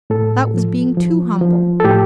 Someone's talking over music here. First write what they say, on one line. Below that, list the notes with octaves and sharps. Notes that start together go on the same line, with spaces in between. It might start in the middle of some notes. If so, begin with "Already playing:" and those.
That was being too humble.
A2 A4
F3
F3
F3
A4
A2 G4